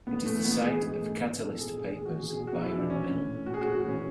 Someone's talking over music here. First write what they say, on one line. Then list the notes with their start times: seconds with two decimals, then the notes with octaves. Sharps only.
It is the site of Catalyst Paper's Biron Mill.
0.07 A2 B3
0.26 E3 A3
0.45 E3 B3
0.64 E3 G#4
0.82 G#2 G#4
1.01 G#2 A3
1.20 A2 B3
1.39 E3 A4
1.58 E3 G#4
1.77 E3 G#4
1.91 A2 G#4
2.05 F#4
2.14 E3 G#4
2.33 B2 G#4
2.47 F#4
2.52 B2
2.62 E4
2.71 E2 D4
2.90 E3 C#4
3.09 A2
3.27 A2
3.46 A2 F#4
3.54 G#4
3.61 A2 F#4
3.75 F#4
3.84 E3 C#4